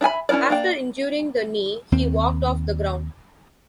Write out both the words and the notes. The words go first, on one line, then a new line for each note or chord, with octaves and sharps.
After injuring the knee he walked off the ground.
D4 E5 G#5 B5
C#4 D4 E4 A#4 D5
A#3 D4 G5
D#2 C4